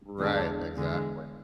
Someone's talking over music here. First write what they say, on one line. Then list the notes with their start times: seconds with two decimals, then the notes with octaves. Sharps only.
Right, exactly.
0.18 E2 D3 G#3 D4
0.76 E2 D3 G#3